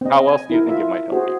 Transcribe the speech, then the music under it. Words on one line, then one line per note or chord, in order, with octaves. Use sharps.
how else do you think it might help you?
C4 D#5
G#5
E4 A#4
F4 E5
F#4 G#4 C5